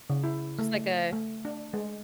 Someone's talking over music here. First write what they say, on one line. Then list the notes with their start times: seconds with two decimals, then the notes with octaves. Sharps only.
Just like a
0.10 C#3
0.24 E4
0.59 A3
1.13 A3
1.45 D4
1.74 G#3